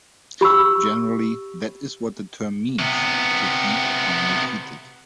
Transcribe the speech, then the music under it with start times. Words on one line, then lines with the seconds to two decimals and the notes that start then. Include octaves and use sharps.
Generally, that is what the term means: to heat, or make heated.
0.41 G4 B5 C#6 E6
2.79 C3 B3